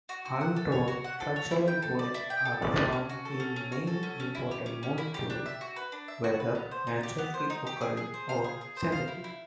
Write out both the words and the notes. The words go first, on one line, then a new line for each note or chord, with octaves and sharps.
Aldol structural units are found in many important molecules, whether naturally occurring or synthetic.
F#4
F#4
F#5
A4
C#5
F#4
F#5
A4
C#5
E4
G5
A4
D5
E4
G5
A4
D5
C#4
C#4
F#4
A4
C#4
C#4
F#4
A4
C#4
C#4
E4
G4
C#4
C#4
E4
G4
D4
E5
F#4
B4
D4
E5
F#4
B4
B3
C5
D#4
G4
B3
C5
D#4
G4
G#4
G#4
C5
F5
G#4
G#4
C5
F5
E4
E4